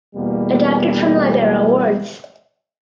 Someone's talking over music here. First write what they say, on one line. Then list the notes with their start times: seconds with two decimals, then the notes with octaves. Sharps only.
Adapted from Libera Awards.
0.16 E2 B2 G3 A#3